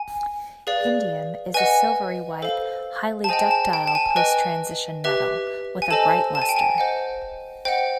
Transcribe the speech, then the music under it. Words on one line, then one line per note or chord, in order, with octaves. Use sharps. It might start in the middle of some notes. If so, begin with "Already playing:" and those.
Indium is a silvery-white, highly ductile post-transition metal with a bright luster.
Already playing: G#5
G#4 B4 D5 F5
B4 D#5 F#5 G#5
A4 C5 F5
A5
G#4 C5 D#5 G5 G#5
A5
G5
A5
G#5
B4 D#5 G5 G#5
G4 B4 E5
G#5
A4 C5 D#5 A5
A5
G#5
G5
G#5
C5 D#5 F#5
C5 D#5 F#5 G5